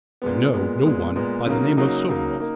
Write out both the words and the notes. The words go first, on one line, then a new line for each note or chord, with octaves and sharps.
I know no one by the name of Souvaroff.
A#2 G#3 B3
A#2 G#3 B3
A#2 G#3 B3
A#2 G#3 B3
C#3 F#3 A#3 D#4
C#3 F#3 A#3 D#4
C#3 F#3 A#3 D#4
A#3 D#4